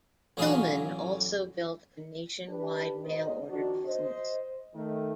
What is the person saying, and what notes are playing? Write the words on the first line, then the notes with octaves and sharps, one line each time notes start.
Gilman also built a nationwide mail order business.
A1 F#3 G#4 F5 B5
D4 G4 B4
G#2 B2 C5 D#5
D#3 F3 D4 F#4
C5 D#5
D#3 A3